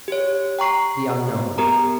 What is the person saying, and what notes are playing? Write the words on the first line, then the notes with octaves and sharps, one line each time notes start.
The Unknown.
G4 C#5
G5 A#5 C#6 C7
B3 G4 A#4 A#5